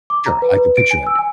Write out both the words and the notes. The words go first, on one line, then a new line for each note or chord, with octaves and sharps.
Sure, I can picture it.
D6
A#5
B4
B4
D7
G#5
E6
G#5